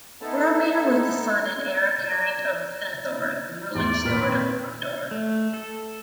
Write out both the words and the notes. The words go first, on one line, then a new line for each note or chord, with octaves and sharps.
Boromir was the son and heir apparent of Denethor, the ruling Steward of Gondor.
B3 D#4 E4 A4 A5
D5
E2 D5 C6
A#2 D#3 C4 B4 F6 B6
A3
A4